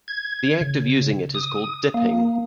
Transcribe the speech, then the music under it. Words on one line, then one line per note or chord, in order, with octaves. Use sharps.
The act of using it is called "dipping".
G#6
C#3
D#6
A#3